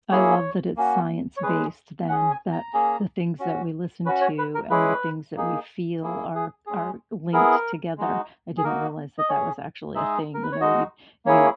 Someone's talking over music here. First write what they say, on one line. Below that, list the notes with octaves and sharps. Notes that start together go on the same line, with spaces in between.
I love that it's science based then that the things that we listen to, and the things that we feel are are linked together. I didn't realize that that was actually a thing, you know, y you
A#3 C#4 E4 G#4 C#5
A#3 C#4 F#4
C#5
G#3 C#4 G#4 B4
C#4 G#4 F#5
G#5
A#5
A#3 C#4 G#4
C#4 F#4
C#4 F#4 B4
C#5
B4
A#4
G#3 C#4 E4 G#4 B4
A#3 D#4 G#4
A#3 E4 G#4
G#4
G#3 C#4 G#4
B3 E4 G#4 A#4
G#3 D#4 F#4
G#4
A#3 D#4 F#4 A#4
D#5
C#4 G#4 C#5
G#3 D#4 G#4 E5
A#4
B4
C#5
G#3 D#4 F#4 D#5
A#3 C#4 E4 G#4 C#5